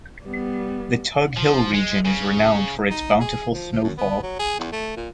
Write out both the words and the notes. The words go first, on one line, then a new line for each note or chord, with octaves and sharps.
The Tug Hill region is renowned for its bountiful snowfall.
G3 B3
F3
G#3
C#3
D#4
G#4
F3
F3
F#2
B3
F#3
G#4
E2
A3
A#2